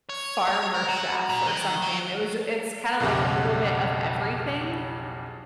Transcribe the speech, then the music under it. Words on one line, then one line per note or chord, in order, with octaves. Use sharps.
farmer chef or something. It was j it's kinda like a little bit of everything.
C#5
A#4
F#4
A#2
D#3
F#3
B1 F2 C#3 G4 F#5